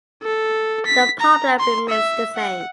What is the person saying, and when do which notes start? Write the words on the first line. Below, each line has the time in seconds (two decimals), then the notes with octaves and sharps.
The problem remains the same.
0.23 A4
0.86 B6
1.20 A#5
1.60 C6
1.90 E5
2.36 F#5